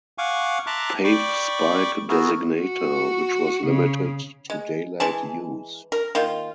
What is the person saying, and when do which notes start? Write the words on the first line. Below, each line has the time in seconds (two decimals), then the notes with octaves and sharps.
Pave Spike designator, which was limited to daylight use.
0.18 F5 F#5 G#5 C#6 D6
0.67 E5 A5 A#5 C6 D6 F#6
1.04 D5 G5 B5 C#6 D6
2.09 B3 E4 F#4 G#4 A#4
2.60 F#4
3.67 C#3
4.50 G#3
5.00 E3 G#3 A5
5.92 A#4
6.15 D#3 A#3 F4